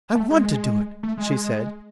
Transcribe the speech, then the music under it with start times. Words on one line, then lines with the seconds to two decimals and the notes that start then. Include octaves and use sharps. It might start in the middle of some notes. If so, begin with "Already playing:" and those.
"I want to do it," she said.
0.15 A3
0.30 G#3
1.03 A3
1.18 G#3